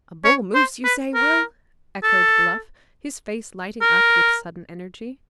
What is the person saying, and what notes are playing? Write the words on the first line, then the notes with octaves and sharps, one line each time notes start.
"A bull moose, you say, Will?" echoed Bluff, his face lighting up with sudden energy.
C#5
C5
B4
A#4
A4
A#4